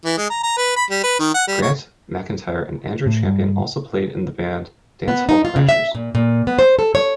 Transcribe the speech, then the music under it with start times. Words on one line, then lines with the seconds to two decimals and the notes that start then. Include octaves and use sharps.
Grant McIntire and Andrew Champion also played in the band Dance Hall Crashers.
0.05 E3
0.17 G#3
0.30 A#5
0.43 A#5
0.57 B4
0.76 B5
0.90 G3
1.03 B4
1.20 D#3
1.34 F#5
1.47 G3
1.62 C#5
3.06 A2
3.25 G2
5.08 B3
5.29 D#4
5.45 F4
5.56 C#3
5.69 E5
5.95 A#2
6.15 A#2
6.47 B3
6.59 C5
6.79 A4
6.95 C#5